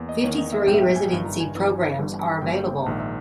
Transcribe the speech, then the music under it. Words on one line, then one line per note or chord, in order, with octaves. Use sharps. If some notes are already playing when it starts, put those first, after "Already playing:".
Fifty-three residency programs are available.
Already playing: E2 A#3
D#5
E2 D#3 A#3 C#5
D#5
E5
A#1 G#2 G3 B3 G5
E5
G5
G#5
G1 G2 D#3 G#5
A#5
G#5
G1 G2 E3
G1 G2 E3 G3
G1 G2 G3 A#3 G5
A#1 G#2 D#3 E5
E5